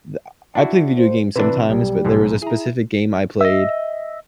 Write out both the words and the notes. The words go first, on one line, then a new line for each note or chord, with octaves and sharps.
d ah, ah, I play video games sometimes, but there was a specific game I played,
D4 E4 F#4
C5
C3 E3 D4 B4
B1 G3
B1 G#2 D3
E4 G#4 A#5
D#5 E5